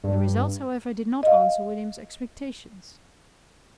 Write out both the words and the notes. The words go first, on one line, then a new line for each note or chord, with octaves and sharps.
The results, however, did not answer William's expectations.
G2
D#5 F5